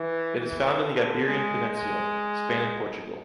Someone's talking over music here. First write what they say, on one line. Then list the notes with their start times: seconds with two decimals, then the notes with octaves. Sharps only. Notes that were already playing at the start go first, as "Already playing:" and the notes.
It is found in the Iberian Peninsula: Spain and Portugal.
Already playing: E3
0.37 E3
0.82 D3
1.25 G#3
1.69 G#3